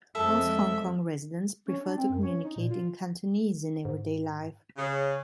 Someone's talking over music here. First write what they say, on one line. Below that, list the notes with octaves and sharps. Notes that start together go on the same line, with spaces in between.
Most Hong Kong residents prefer to communicate in Cantonese in everyday life.
F2 G#3 A4 E5
C#4
D4
C4
F#2
C#4
D#4
A#2
F4
G#2
C#3